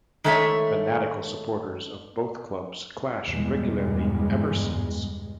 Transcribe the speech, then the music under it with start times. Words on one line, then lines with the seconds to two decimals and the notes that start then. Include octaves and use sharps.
Fanatical supporters of both clubs clash regularly ever since.
0.24 D#3 G#3 A3 A4 C#5 E5
3.29 G1 E2 G2 B2 G3 G#3